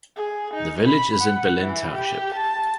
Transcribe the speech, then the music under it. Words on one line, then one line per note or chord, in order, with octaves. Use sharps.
The village is in Berlin Township.
G#4
D#4
B5
F#5
E3
G4
A5